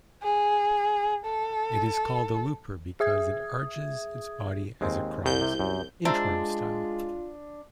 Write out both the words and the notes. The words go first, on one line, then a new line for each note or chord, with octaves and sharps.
It is called a "looper" because it arches its body as it crawls, inchworm-style.
G#4
A4
G#4 E5 D#6 G#6
D#2 G#3 C4
C2 G6
C3
F#2
G#3 D4 F4 C5 E5 A#5